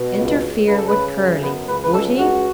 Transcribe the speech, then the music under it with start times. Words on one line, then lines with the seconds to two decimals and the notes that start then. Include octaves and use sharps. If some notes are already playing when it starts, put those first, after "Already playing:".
Interfere with Curly, would he?
Already playing: B2
0.18 C#2
0.43 C#2
0.67 C#3 B4
0.78 A4
0.88 C#3 B4
1.19 F#2
1.42 B3 B4
1.69 C#2 B4
1.84 B4
1.93 C#2 A4
2.18 C#2 F#4